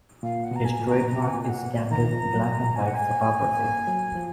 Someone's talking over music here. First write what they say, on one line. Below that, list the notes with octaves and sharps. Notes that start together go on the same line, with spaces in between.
His trademark is candid black-and-white photography.
A#2 F5
F#5
B2 A#5
G#5
A#2
A#5
B2 A#5
F#5
G#5
A#2
G#5
F#5
B2
D#3 A#5
F3
F#3
G#5
F#5
G#5
A#3
F#3
F3